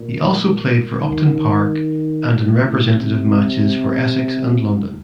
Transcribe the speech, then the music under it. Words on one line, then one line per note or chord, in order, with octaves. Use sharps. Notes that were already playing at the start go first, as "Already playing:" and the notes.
He also played for Upton Park and in representative matches for Essex and London.
Already playing: A#2
D#3
G2
A2
C3